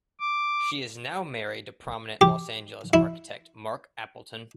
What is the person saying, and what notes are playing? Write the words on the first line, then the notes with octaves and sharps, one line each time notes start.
She is now married to prominent Los Angeles architect Marc Appleton.
D6
G4
E4